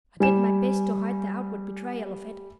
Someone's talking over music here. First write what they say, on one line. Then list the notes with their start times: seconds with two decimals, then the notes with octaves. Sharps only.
I did my best to hide the outward betrayal of it.
0.20 G3 G#5 E7